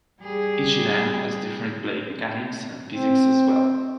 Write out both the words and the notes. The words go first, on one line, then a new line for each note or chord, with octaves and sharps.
Each event has different play mechanics and physics as well.
G3 G#4
C4